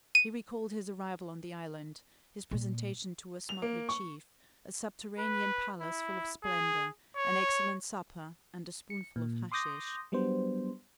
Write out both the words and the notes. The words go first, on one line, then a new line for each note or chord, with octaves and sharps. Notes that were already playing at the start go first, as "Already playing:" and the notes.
He recalled his arrival on the island, his presentation to a smuggler chief, a subterranean palace full of splendor, an excellent supper, and a spoonful of hashish.
D#7
A#2
F7
A#3
C#6
B4
E4
G#4
C#5
C#7
A#2
C6 D6 D#6 G6 A#6
F#3 G3 B3 D4 C5